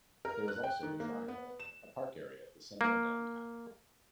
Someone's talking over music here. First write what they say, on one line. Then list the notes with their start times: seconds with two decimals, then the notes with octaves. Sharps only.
There is also "The Triangle" a park area at the center of downtown.
0.25 A#4
0.48 F#6
0.63 G5
0.83 D#3
1.00 A#3
1.28 B3
1.60 E7
2.81 A#3